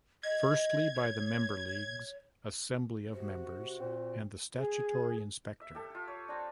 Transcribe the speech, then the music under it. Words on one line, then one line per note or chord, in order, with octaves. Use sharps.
Firstly, by the Member Leagues, Assembly of Members and the Statutory Inspector.
D#5 G#6
C#5
C3 F#4
A#2 C4
G#4
E5
G4 A4
F4
C#5
C4 D4